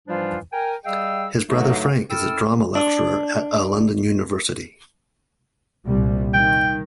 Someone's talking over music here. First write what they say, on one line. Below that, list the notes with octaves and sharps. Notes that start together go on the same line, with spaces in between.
His brother, Frank, is a drama lecturer at a London university.
G#2 E3 F3 G3 D4 F4
A#4 G5 G#5
G3 G#4 D#5 F5 G5 E6
G2 D3 F#3 A3 D#4 F#4
F#2 E4 A4 G5 E6 F6
D4
C2 A#2 G3
D#3 G5